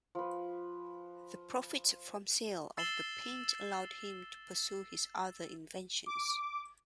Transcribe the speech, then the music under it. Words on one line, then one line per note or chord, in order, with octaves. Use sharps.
The profits from sale of the paint allowed him to pursue his other inventions.
F3 B4
E6 A6 C7 E7 F#7 G7
D6